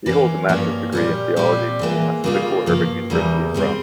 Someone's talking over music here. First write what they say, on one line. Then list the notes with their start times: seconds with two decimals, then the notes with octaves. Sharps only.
He holds a master's degree in theology from the Pontifical Urban University in Rome.
0.06 E3 A#3 C#4
0.49 G2 F3 A#3 C#4
0.92 A#2 G3 C#4 G4
1.36 A#2 G3 C4 G4
1.79 G#2 E3 A#3 F4
2.24 C#3 G3 A#3 F4
2.66 G2 F3 A#3
3.10 E2 C#3 G3 A#3
3.54 G#2 G3 C4